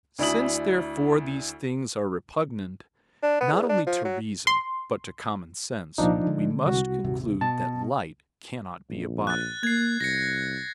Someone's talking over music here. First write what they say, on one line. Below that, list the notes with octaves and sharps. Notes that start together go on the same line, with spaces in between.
Since, therefore, these things are repugnant, not only to reason, but to common sense, we must conclude that light cannot be a body.
D2 D4 E4 G#5 D#6 F#7
D4
B3
E2
D4
F3
F#3
C6
C2 A#2 F3 D4 D#4
D3 G#3
C2 F#4
D#1 G#1 C3
B2 A5
A#1
F#6 A6
A#3 G#6 C7
C2 A#6 C#7